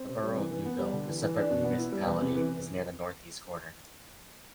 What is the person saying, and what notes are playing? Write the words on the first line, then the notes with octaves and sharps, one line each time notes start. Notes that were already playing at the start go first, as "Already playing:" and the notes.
The borough of Newville, a separate municipality, is near the northeast corner.
Already playing: C4
C3
G3
E3
E3
B3
G3
D3
E3
E3
D4
B2
B3
E4
G3
E2
C3
E3